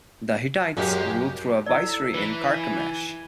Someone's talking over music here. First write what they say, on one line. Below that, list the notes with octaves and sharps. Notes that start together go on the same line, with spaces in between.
The Hittites ruled through a viceroy in Carchemish.
F#2 F#3 G#3 A#3 C#4 G4
E4 A4 D5
E3 B4
G#5